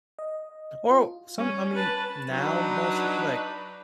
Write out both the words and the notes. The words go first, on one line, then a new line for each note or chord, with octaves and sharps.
Oh! Some I mean, now mostly, like,
D#5
F4
G3 C#4
B4 A5
F#3 D4 D#4 B4